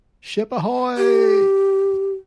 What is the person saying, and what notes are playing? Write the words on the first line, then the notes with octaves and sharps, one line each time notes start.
Ship Ahoy!
G4